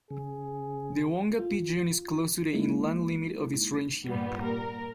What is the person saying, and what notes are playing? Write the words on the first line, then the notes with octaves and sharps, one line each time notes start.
The wonga pigeon is close to the inland limit of its range here.
C#3 G#4
F4
F#3 G#3 A#3 B3 D#4 E4
G2 A#2 G3 B3
A#4